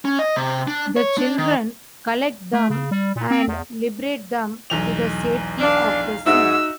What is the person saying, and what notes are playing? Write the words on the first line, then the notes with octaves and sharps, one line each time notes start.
The children collect them and liberate them to the safety of the sea.
C#4
D#5
C3
D4
C#5
D4
D#3
A3
C#3
G3
A#2
C4
E2
B1 E2 F7
D4 F5
G#2 D#4 F#4 E5 E6